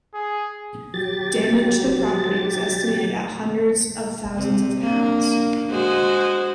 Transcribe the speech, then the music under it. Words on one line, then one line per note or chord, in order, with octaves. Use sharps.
Damage to property was estimated at hundreds of thousands of pounds.
G#4
F#3 G4 A6
C3
A#3 D4
G#3 F#4 C5